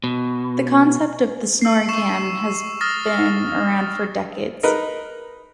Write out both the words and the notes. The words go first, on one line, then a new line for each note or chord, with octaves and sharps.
The concept of the SnorriCam has been around for decades.
B2
E6 C7
C#6 C7 E7
D#6 F6 A6 A#6
D#4 A#4 B4